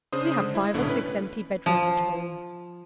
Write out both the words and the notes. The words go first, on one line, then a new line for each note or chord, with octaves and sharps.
We have five or six empty bed-rooms at home.'
C#3 D4 C5 D#6
D3 G#3
E4
B1 A2 D3 D4
C#4 B4
F3